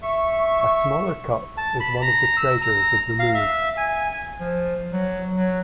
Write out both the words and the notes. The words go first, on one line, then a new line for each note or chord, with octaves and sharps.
A smaller cup is one of the treasures of the Louvre.
E5 C#6
A5
B5
A#5
E6
A#5
F5
E5
G#5
F3
F#3
F#3